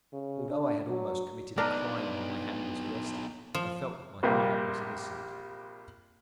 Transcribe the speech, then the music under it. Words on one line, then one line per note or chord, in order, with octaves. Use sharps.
Although I had almost committed a crime when my hand was arrested, I felt that my heart was innocent.
C#3
D4
F#3
B3 D4 D#4 A#4
F3
A#1 C3 G3 A#3